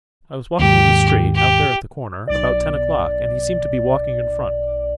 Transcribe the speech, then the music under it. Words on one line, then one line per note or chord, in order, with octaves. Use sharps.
I was walking in the street, out there at the corner, about ten o'clock and he seemed to be walking in front.
D#2 G#2 G4
G4
B1 D5